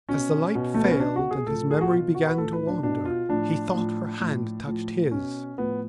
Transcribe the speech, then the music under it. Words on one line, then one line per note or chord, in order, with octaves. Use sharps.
As the light failed and his memory began to wander he thought her hand touched his.
B2 C#4
B2
A3
B3
C#4
B2 D4
F#4
G#4
A2 F3 A4
G#4
F#4
B2 F4
F#4
B4
A2 F3 A4
B4
D4
B2 D4
F4
A2 F3 D4
A2 F3
A2 F3
A2 F3
B2 C#4
A2 F3 B3